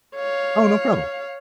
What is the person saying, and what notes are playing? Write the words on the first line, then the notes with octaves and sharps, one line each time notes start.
Oh, no problem.
C#5 F5